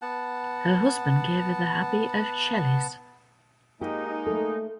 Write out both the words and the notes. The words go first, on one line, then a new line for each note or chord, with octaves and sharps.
Her husband gave her the Abbey of Chelles.
B3 F#5 A5
G#3 A#3 D#4 G4
A3 A4